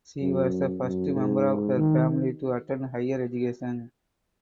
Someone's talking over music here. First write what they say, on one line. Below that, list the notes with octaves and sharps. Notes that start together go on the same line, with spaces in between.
She was the first member of her family to attend higher education.
F#2
F#2
G#2
D#3